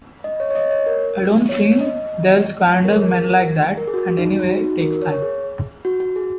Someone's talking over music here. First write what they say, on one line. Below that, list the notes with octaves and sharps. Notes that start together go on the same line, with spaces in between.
I don't think they'll squander men like that, and anyway it takes time.
D#5
C#5
C#5
D#5
C#5
A#4
C#5
D#5
C#5
A#4
G#4
A#4
A#4
G#4
F#4
G#4
F#4
D#4
D#4
F#4
F#4
D#4
F#4
A#4
A#4
C#5
C#5
G#4
F#4
F#4
G#4